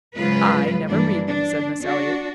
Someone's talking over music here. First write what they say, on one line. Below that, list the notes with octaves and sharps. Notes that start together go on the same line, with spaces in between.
"I never read them," said Miss Eliot.
G#2 C#3 F#3 F4 B4
G2 E3 A#3 D4
D4
D4 F#4